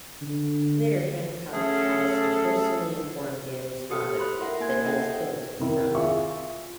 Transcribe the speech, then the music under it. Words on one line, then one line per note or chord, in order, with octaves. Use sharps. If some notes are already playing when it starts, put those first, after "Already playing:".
Later Hancock has to personally inform Danny's father that he has killed his son.
D3
F#3 A3 C#4 G#4 A4
F#4 G4 A4 D#6 C#7
B5 C6 F#6
E4 A#4 E5 F#5
A#3 G#5 G#6
A4 D#5 E5 F#5 G5
C3 D#3 E4
F4 G#4 E5 C#6